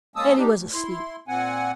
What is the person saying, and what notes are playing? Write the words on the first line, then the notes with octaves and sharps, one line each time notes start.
Elly was asleep.
G#3 A#3 C#4 A5 D#6 E6
D4 D#4 G4
D2
E4 C6
A#2 C4 F#5 G#5